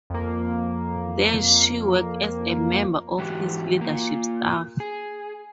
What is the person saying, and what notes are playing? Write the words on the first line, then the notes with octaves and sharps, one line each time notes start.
There she worked as a member of his leadership staff.
F2 A#3
G#2 E3 F#4 G4
A#3 F4
G#4